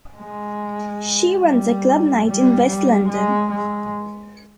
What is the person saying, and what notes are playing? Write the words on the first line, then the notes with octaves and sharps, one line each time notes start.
She runs a club night in West London.
G#3
G3
G3
G3
G#3
G#3